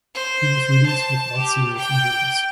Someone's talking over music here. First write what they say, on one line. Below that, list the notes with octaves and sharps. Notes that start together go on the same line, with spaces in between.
He was released without serious injuries.
C5
A5
G4
G5